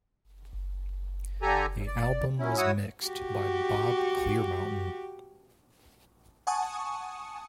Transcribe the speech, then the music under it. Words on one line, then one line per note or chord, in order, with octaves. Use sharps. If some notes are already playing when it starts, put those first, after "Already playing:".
The album was mixed by Bob Clearmountain.
D3 G4 A4 G#5 A#5
D#2
D5
F#3 C#4 E4
E4 F#4 C#5 F#5 D#6 E6
F#4 G4
F#5 G#5 A5 C#6 D#6